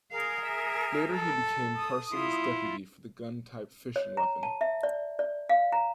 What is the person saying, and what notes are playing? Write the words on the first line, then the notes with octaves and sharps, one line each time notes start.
Later he became Parsons' deputy for the gun-type fission weapon.
G#4 A#4 F5
E5
A4
D#6
E4 F4
C#5
A#5
A5
E5
D5
D5
F5
A#5